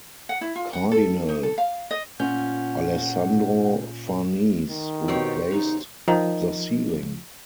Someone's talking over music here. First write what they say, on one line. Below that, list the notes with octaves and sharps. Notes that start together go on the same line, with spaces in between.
Cardinal Alessandro Farnese replaced the ceiling.
F#5
E4
F4
F#5
A4
D#4
A4
F5
D#5
A#2 C#4 F4 F#5 G6
D#3
B2 C4 G4 C#5
F#1 E2 D#4
D#3 F3